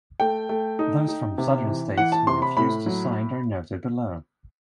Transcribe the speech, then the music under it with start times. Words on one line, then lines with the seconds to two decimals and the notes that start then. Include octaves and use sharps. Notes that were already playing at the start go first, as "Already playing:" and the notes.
Those from southern States who refused to sign are noted below.
0.20 A3 G5
0.49 A3
0.79 D#4
1.08 D#4
1.38 C3
1.67 E3
1.97 E3 F#5
2.12 A5
2.27 C3 C6
2.42 B5
2.57 A2 B5
2.86 F#3